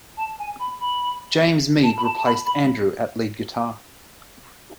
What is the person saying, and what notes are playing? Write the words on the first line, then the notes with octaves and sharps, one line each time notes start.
James Mead replaced Andrew at lead guitar.
A5
G#5
B5
B5
A5
B5
A5
A5
B5
B5